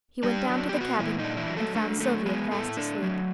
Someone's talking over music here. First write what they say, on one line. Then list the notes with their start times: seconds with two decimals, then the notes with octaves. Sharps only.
He went down to the cabin, and found Sylvia fast asleep.
0.23 G3 D4 G4
0.49 F#3
0.69 B3 G4
0.80 F#3 F#4
0.99 A#2 E3 E4
1.19 D#4
1.24 D4
1.37 E3 E4
1.50 F#3
1.57 A3 A4
1.75 A3 D4 A4
2.00 F#3 A3 A4
2.26 G#3 B3 G#4
2.51 A2 A3 A4
2.77 D4
3.02 F#3